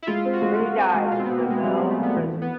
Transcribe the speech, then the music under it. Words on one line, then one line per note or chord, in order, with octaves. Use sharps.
Three died in Seville prisons.
E4
G#3 F4
C4
F#4
G#3
G#3
C4
G#3
B2 F4
C4
B3
B2
A#3
B2 G#3
F#3 G3
F#3 G#3
A3
B2 B3
E2
E2
B3